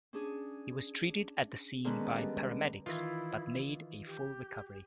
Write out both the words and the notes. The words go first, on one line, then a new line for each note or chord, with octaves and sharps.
He was treated at the scene by paramedics, but made a full recovery.
C#4 D4 G#4
D3 D#3 G#3 B3 C#4 B4
G3
D#3 E3 E4 F4
G4